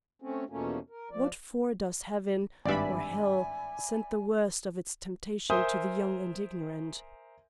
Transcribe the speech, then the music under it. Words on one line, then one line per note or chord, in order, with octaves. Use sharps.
What for does heaven--or hell--send the worst of its temptations to the young and ignorant?
A3 C4 C#4
E2 B2 F3 A3 A#3 C#4
A#4
F3 D5
G#1 G2 D5 E5 G#5 B5
A#4 C5 E5 G#5 D#6 G6